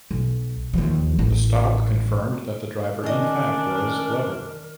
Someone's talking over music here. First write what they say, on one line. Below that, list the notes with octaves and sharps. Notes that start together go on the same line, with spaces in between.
The stop confirmed that the driver in fact was Glover.
B1
D#2 F3
A1 E4
D#3 C#4 D4 A#4 D#5